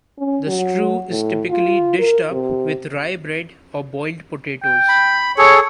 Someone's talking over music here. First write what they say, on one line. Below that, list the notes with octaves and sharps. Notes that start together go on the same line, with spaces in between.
The stew is typically dished up with rye bread or boiled potatoes.
C#4
F#3
A2
F4
A#4
C3
G5
B5
G#4 A4 C#5